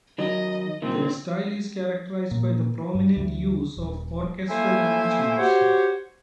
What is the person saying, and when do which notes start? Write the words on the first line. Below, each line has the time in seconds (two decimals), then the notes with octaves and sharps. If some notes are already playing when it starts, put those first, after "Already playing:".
Their style is characterized by prominent use of orchestral arrangements.
0.18 D#3 F#3 D#5
0.82 C2 A#2 D#3 C4
2.31 A#2
2.95 G2
3.17 D2
3.77 D#1
4.49 A3 A#3 E4 C5 G#5
5.38 F#4 G4 C5 C#5 F#5